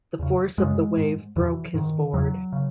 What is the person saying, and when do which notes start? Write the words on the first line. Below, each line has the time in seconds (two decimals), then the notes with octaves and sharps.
The force of the wave broke his board.
0.19 E2 C#3
0.58 F#2 C#3 G#3
0.97 G#2
1.36 E2 B2 E3
1.74 G#2 D#3
2.13 E2 C#3 F#3
2.53 C#3